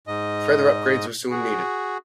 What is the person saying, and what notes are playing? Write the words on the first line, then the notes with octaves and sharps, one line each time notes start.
Further upgrades were soon needed.
G#2 D#5
F#4 G#4